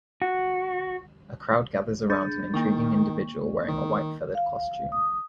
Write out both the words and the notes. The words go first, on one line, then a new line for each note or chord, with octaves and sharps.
A crowd gathers around an intriguing individual wearing a white feathered costume.
F#4
D4 G6 A6
D#3 A#3 C#6
D#3
F5
D#6